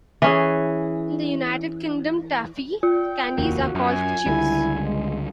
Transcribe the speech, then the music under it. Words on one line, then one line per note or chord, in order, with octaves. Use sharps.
In the United Kingdom taffy candies are called chews.
E3 C#4 G#4
F4 G5
F1 D#2 A#3 F#4
F#2 G#5
C#2 D3 G3 E4
G#3